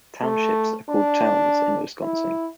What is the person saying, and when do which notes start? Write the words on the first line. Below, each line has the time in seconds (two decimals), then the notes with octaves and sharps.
Townships are called "towns" in Wisconsin.
0.23 A3
0.89 D4
2.03 E4